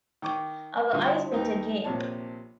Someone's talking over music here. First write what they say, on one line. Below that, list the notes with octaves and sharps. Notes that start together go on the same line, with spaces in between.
Our eyes met again.
D#3 C#6 D6
G2 D3 F4 F#4 E5 D#6
D#2 D#4 B4
A#1 C3 C#5 A5